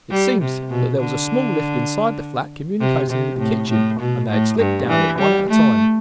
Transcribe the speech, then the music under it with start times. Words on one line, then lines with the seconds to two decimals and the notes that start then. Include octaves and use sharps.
It seems that there was a small lift inside the flat communicating with the kitchen, and they had slipped down it one at a time.
0.11 G3
0.41 C3
0.70 B2
1.00 D3
2.80 C3
3.10 C3
3.39 A2
3.69 A2
4.00 B2
4.29 A2
4.58 G2
4.89 E3
5.19 G3
5.49 A3